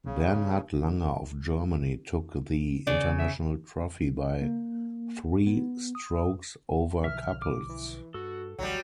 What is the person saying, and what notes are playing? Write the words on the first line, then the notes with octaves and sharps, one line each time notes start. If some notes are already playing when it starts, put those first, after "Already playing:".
Bernhard Langer of Germany took the International Trophy by three strokes over Couples.
C#3
C#3 D5
E5
A#3
B3
D#6
B1 D3 F3 E5 F6
D6
E3
G2 F#4 A4
A1 D2 D3 F#3 G3 F#4